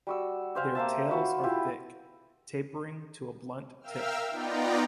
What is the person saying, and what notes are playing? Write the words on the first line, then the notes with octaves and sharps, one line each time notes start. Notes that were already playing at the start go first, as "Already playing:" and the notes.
Their tails are thick, tapering to a blunt tip.
G3 F#4 E6
G4 C5 F5 G#5
A#3 C5 E5 A5
F4 F#4 B5
E4 F4 G4
A#4 E5 F5 G5 E6 F6
B3 D#4 F4 D5 G5 A#5